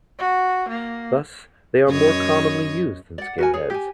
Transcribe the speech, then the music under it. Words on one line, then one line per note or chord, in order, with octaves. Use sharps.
Thus, they are more commonly used than skin heads.
F#4
A#3
F#2 C#5 D#5
D5 F#5
F#4 A#4 G#5
G#4 C#5
G4 G#5